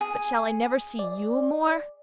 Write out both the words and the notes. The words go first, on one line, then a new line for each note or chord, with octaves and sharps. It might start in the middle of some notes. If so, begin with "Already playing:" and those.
But shall I never see YOU more?
G#4
D5